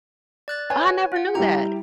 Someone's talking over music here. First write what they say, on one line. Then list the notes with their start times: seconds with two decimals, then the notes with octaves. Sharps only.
I never knew that.
0.48 D5 F#6 A6
0.70 B4 C#5 G#5
1.12 F4 F#5
1.35 G3 E4 G4 A#5